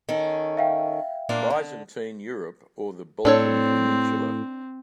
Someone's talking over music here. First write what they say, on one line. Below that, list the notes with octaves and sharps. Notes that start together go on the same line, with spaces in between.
Byzantine Europe, or the Balkan peninsula.
D#3 C#4 A4
E5 F5 G5
A#2 A#3 D4
D3
A2 C4 D4 A4 C#5